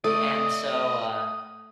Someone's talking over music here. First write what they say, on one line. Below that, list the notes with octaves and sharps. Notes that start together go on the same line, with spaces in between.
And so, uh,
A3 A4 D5 D#5 D#6